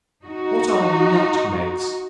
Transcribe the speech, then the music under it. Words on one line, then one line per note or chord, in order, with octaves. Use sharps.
What are Nutmegs?
D#4 F#4